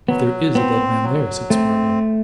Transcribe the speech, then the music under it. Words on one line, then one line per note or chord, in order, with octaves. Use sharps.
"If there is a dead man there," said Spargo.
F#3 B3
B3 C4
F#3
A3 C4